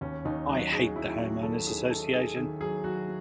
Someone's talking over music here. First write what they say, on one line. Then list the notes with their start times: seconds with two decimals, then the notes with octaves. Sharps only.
I hate the Homeowners' Association.
0.01 D#2 C#4
0.25 D#2 D#4
0.48 F#3 F#4
0.72 D#3 G#4
0.96 F#3 E4
1.20 F#3 F#4
1.43 D#2 A4
1.66 D#3 G#4
1.90 D#3 A4
2.13 D#3 G#4
2.37 D#3 G#4
2.61 F#3 G#4
2.84 F#3 F#4